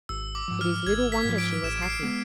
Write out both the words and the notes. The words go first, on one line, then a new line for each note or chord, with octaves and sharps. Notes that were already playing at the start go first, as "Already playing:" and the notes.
It is little wonder she was happy.
G#1 E6
D6
G#2 F3
F6
G#1 G#6
B6
G#2 F3
D7
A1 E7
C7
D7
G#3 B3